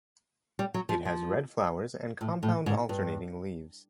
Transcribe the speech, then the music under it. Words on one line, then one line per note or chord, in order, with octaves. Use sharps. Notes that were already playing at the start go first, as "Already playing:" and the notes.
It has red flowers and compound alternating leaves.
G3
F#3
F3
F3
A2
A2
G#2
G2